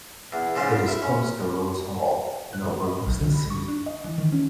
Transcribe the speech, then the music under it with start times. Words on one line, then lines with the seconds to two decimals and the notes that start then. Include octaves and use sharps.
It is close to Rose Hall and overlooks the sea.
0.32 E2
0.56 G#2 C#3 F3 G#3
0.88 E4
1.02 C#4
2.53 F#6
2.65 F3
2.87 D#5
3.06 B1
3.21 D3
3.34 B5
3.50 C#6
3.68 D4
3.86 D#5
4.04 E3
4.18 D#3
4.32 C#4